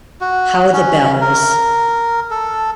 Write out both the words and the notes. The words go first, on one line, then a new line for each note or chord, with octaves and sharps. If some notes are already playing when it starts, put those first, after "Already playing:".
How the bells.
F#4
C#4
A#4
A4